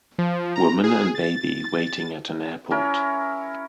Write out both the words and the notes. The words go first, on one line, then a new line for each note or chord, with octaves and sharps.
Woman and baby waiting at an airport.
F3
A#5
G#4
A6
C#4 E4 A#4